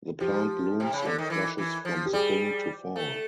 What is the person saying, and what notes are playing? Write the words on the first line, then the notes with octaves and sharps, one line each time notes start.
The plant blooms in flushes from spring to fall.
F3 G4
C3
C#3
D3
D#3
E3
E3
F3
G4
G3 G#4
A3